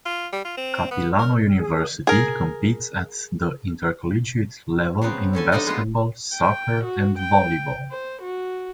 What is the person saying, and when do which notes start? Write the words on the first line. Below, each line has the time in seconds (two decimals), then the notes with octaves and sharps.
Capilano University competes at the intercollegiate level in basketball, soccer, and volleyball.
0.05 F4
0.33 G3
0.44 F4
0.57 C4
0.91 B3
1.19 A#4
1.59 G#4
2.07 G#4 A#4
5.02 C#3 F#3 B3 C4
5.33 D3 C#4 A4 G#5
5.52 D3 G3 D4 D#4 D5 D#5
5.67 G#3 B3 F4
6.33 G5
6.84 F#4
7.19 G5
7.91 C5
8.22 F#4